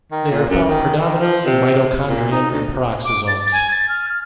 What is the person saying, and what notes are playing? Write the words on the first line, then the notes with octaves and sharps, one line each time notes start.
They are found predominantly in mitochondrion and peroxisomes.
D#3
A#2
F#2
D#3
D#3
F3
C3
A#2
D#4
D2
D6
A6
G#5
A6
F6
F6